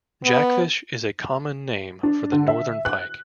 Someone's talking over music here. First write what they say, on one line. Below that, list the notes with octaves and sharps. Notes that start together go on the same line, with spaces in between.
"Jackfish" is a common name for the Northern Pike.
B3
D4
D3
E5
F#6